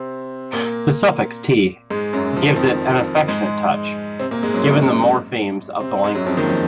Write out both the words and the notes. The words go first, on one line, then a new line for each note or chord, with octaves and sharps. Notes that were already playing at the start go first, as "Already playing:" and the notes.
The suffix "-t" gives it an affectionate touch, given the morphemes of the language.
Already playing: C3 C4
A#2 A#3
G#2 G#3
F#2 F#3
F3
D#3
F2 F3
G#2 G#3
C3 C4
A#2 A#3
G#2 G#3
F#2 F#3
F#2 F#3
C3 C4
G#2 G#3
F#2 F#3
F2 F3
D#2 D#3
F3